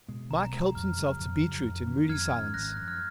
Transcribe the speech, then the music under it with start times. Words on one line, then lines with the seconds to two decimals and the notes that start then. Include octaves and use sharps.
Mike helped himself to beetroot in moody silence.
0.08 B2 G#3
0.31 B1 A#5
0.53 B2 G#3
0.75 F2 F6
0.98 C#3 F#3
1.20 F2
1.42 C#3 F#3
1.64 F2
1.87 D#3 A#3 C#4
2.09 F2 F6 G#6
2.31 D#3 A#3
2.36 C#4
2.54 G#1 F#6 A#6
2.65 F#6
2.76 F#2 F#6
2.81 F3
2.88 F6 G#6